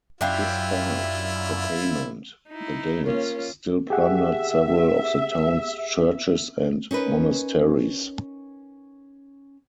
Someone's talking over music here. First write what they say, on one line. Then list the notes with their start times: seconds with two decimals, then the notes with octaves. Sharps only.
Despite the payment, the Danes still plundered several of the town's churches and monasteries.
0.21 F#2 D4 E4 F4 G4 E5 F5
2.49 D#4 E4
3.06 A#3 C#4 F4 C#5
3.90 G4 G#4 E5 F#5
6.91 C#4 D#4 A#4 B4